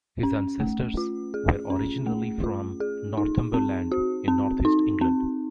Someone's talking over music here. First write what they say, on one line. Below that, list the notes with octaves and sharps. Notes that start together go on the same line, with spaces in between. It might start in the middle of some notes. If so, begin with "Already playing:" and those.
His ancestors were originally from Northumberland in North East England.
C#4
A3
F4
G#4
C#4
A3
F4
G#4
D#4
C4
F#4
C4
D#4
C4